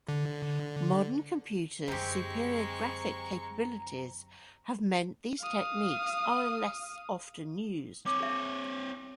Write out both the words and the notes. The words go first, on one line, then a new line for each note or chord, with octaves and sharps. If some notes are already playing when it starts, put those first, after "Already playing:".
Modern computers' superior graphic capabilities have meant these techniques are less often used.
D3
F#2 D3 G#3 C4 G4 A#5 C#6
F5 D#6
C4 C#5 D6
G#4 E5